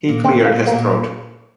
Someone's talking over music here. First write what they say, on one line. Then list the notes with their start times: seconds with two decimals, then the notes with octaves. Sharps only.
He cleared his throat.
0.09 A#2
0.24 A#2 C4
0.39 A#2
0.45 A#3
0.56 A#2
0.67 A#3
0.71 A#2